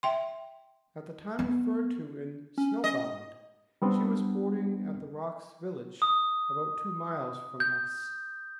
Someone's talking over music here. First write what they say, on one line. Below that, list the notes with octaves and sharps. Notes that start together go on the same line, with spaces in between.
At the time referred to in Snow-Bound she was boarding at the Rocks Village about two miles from us.
E5 G5 C6
B3
C#4
D#5
G3 B3 C4 D4
D#6
G6